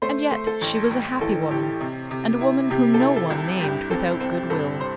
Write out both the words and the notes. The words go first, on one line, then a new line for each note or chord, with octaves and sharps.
And yet she was a happy woman, and a woman whom no one named without good-will.
A3 C5
A3
A4
A1
A1
E3 A4
A2 G4
C3
C3
E4
C3 G4
A4
E4
A4
C2
G2 G4
C4 A4
C4
G2 A4
C5